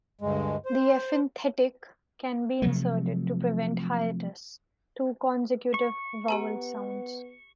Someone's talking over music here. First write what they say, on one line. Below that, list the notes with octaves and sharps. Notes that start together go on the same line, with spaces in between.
The epenthetic can be inserted to prevent hiatus, two consecutive vowel sounds.
D2 G2 G#3
C5
C3 F3 F#3 A3
C#6
B3 G4 B4 A#5